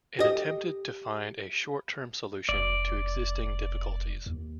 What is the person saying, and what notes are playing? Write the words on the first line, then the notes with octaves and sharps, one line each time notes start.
It attempted to find a "short-term solution to existing difficulties".
G4 D#5
F1 D5
D#2